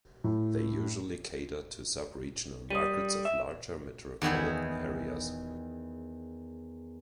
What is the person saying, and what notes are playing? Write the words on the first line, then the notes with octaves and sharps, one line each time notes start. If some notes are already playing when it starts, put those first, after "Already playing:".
They usually cater to sub-regional markets of larger metropolitan areas.
A2
G3 D#6 D#7
E5
E2 D#3 E4 G#4